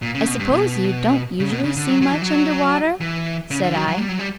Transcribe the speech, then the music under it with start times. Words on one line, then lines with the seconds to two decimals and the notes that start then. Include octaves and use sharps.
"I suppose you don't usually see much under water?" said I.
0.02 A#2
0.15 C#3
0.27 B2
0.39 G2
0.52 B2
1.40 C#3
1.51 B2
1.64 C#3
1.77 D3
1.89 F#3
2.02 F#3
2.12 E3
2.22 F#3
3.01 E3
3.51 C#3
3.63 D3
3.75 F#3
3.88 F#3
3.98 G3
4.08 F#3
4.19 G3